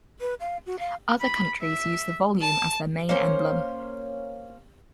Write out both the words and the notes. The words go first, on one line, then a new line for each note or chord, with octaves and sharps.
Other countries use the volume as their main emblem.
B4
F5
F#4
F5
B5
E5
A5
A#3 C#4 C5